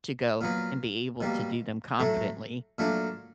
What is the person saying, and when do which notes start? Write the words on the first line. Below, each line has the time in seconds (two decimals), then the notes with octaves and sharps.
to go and be able to do them competently.
0.41 A#2 F#3 B3
1.21 B2 G3 A#3
2.00 A2 F#3 A3
2.78 A#2 F#3 A3 D4